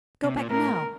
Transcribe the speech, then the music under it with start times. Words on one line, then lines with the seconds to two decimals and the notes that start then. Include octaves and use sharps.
Go back now!
0.24 C3
0.37 A#2
0.50 A2 A#4